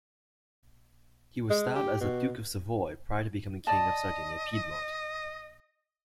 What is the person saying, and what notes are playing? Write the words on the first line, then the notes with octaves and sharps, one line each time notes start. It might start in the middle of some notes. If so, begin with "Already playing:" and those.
He was styled as the "Duke of Savoy" prior to becoming King of Sardinia-Piedmont.
G#3
G4
B2
D5 D#5 A5